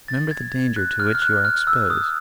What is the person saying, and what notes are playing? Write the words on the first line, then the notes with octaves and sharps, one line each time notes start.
Remember the danger to which you are exposed.
A6
G#6
F#6
F6
F6
F#6
F6
E6
D#6